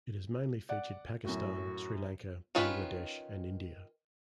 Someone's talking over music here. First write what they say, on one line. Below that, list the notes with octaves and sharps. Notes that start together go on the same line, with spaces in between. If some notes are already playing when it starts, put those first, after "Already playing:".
It has mainly featured Pakistan, Sri Lanka, Bangladesh, and India.
D5 F#5
F#2 A2 F#4
D#3 C#4 F4 B4 B5